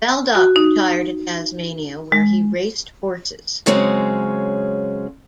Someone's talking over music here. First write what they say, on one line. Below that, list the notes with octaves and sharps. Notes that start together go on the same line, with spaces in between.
Baldock retired to Tasmania where he raced horses.
F#4
D#4
G#3
C#3 F#3 G#3 C4 C#4